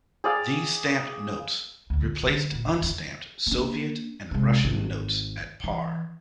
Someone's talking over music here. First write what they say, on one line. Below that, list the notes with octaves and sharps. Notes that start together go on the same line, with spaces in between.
These stamped notes replaced unstamped Soviet and Russian notes at par.
G#4 D5 F5
D2 D#3
F2
D3 F#3
F#2 A#2
E2 C#3
F2 D#3
A#3 D4
C2 G#3
G#1
E3